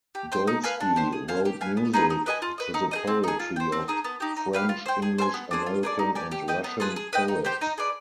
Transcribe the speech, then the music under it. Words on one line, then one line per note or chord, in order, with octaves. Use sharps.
Dolsky wrote music to the poetry of French, English, American, and Russian poets.
G4
C5 G5
D#4
B4 F5 G#5
D4
G4 C5
G#4
C5 F5 G#5
G4
B4 F5 G#5
B3
D#4 G#4 B4
D#4
B4 D#5 G#5
F4
B4 D#5
D#4
G#4 C5 D#5
C4
D#4 G#4
F4
C5 G5
C4
D#4 G#4
B3
D#4 G4
D#4
G4 B4 F5
F4
C5 G5
G#4
C5 F5 G#5
B3
D4 G#4 C5
F4
G#4 B4 D5
D#4
G4 D5 G#5
G4
B4 D#5 G5
B3
F4 G#4 B4
G#4
B4 D#5 G5
D#4
G4 C5 G5
D#4
G#4 B4 D5